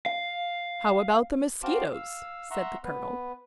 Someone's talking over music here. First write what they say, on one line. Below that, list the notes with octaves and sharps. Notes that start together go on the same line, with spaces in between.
"How about the Mosquitoes!" said the colonel.
F5
C4 F#4 F5 A5 C6 D6
F5 E6
E5 F#5 A#5 C6 C#6 E6
B3 B4